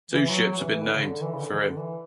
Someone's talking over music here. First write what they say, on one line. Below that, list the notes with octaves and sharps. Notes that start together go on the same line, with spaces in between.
Two ships have been named, for him.
E3
F#3
F#3
E3
D3
C#3
D3
E3
C#3
D3
E3
D3
E3